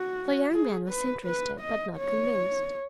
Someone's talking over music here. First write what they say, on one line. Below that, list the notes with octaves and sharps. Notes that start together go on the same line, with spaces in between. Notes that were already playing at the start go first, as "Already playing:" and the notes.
The young man was interested, but not convinced.
Already playing: F#4
G#4
B4
B4
D#5
C#5